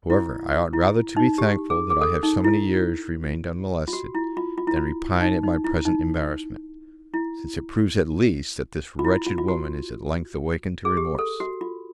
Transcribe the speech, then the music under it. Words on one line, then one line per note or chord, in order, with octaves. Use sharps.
However, I ought rather to be thankful that I have so many years remained unmolested, than repine at my present embarrassment; since it proves, at least, that this wretched woman is at length awakened to remorse.
E4
E4
D#4
G4
G#4
G#4
A4
D#4
E4
F4
F#4
E4
F4
F4
E4
F4
D#4
D#4
E4
D#4
E4
F4
E4
F4
F4
F#4
G#4
G4
A4
F#4
F4